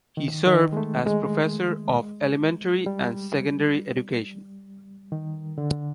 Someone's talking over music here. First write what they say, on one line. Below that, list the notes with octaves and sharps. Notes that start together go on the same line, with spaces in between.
He served as Professor of Elementary and Secondary Education.
D#3
D#3
G#3
A3
G#3
G3
D#3
D3